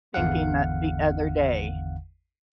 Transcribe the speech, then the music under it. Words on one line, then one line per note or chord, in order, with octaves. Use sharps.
thinking that the other day.
G#1 E2 D3 F5 F#5